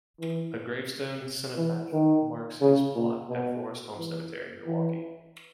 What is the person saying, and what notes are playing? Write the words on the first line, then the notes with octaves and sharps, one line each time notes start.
A gravestone cenotaph marks his plot at Forest Home Cemetery in Milwaukee.
E3
E3
D#3
C#3
A#2
B2
E3
E3